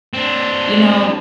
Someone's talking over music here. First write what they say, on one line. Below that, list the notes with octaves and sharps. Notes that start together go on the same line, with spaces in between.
you know,
C4 D4